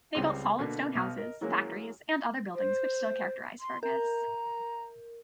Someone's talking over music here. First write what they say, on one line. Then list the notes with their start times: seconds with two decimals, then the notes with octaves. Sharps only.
They built solid stone houses, factories and other buildings which still characterize Fergus.
0.15 C#2 G3 C4 G#4 C6
0.59 B2 D3 A#3 B3
0.95 B1 B2 D#6 F6
1.18 A#4 D#5
1.41 E3 F#3 G#3 A#3 C#4
2.55 C5
3.60 C6
3.83 A#4 A#5